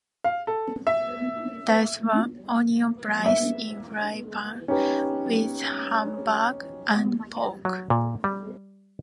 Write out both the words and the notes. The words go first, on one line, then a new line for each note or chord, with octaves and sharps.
Dice one onion -place in fry pan with Hamburg and pork.
F5
A4
E5
E5
C#4 D#4 G4 B4
F#3
A#2
G3